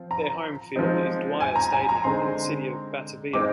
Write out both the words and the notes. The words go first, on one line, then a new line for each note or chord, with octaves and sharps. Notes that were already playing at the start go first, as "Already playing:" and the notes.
Their home field is Dwyer Stadium in the city of Batavia.
Already playing: F3 C4 F4
A#5
F3 G#3 C4 D#4
G#5
A#5
G#5
A#5
D3 G#3 C4 D#4 C6
A#2 G#3 C4 D#4 D6